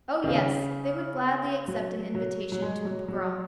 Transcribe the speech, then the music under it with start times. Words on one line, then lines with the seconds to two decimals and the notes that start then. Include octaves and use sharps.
Oh, yes, they would gladly accept an invitation to a pogrom.
0.24 D#3
0.28 C#3
1.68 F#3
2.15 F#3
2.52 F#3
2.62 G#3
2.85 F#3
3.08 F#3